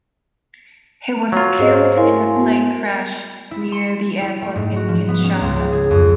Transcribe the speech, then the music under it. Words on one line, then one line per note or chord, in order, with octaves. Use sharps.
He was killed in a plane crash near the airport in Kinshasa.
F#3 F4
G#2 G#4 C5 C#5 D#5
E4 A#4 F5 G#5 C6
B3 F#4
E4
C6
E4
A3
G#2
F#4
F3
B3
C#4
C#2
G#4
F2